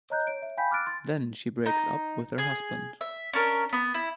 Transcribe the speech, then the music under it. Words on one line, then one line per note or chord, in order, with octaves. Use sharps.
Then she breaks up with her husband.
C#5 D#5 A#5 F#6 G6
C#5 D7
E5
F5 G5 G#5 B5 G6 B6
D6 F6 F#6 A6 D7
C6 A6
D#4
G#4 G#5
E5
C#4 D4 A#4
B3
E4